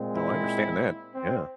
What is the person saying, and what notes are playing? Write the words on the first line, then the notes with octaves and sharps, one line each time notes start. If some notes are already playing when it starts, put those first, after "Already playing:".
No, I understand that. Yeah.
Already playing: A#2 G#3 C4
E4
C4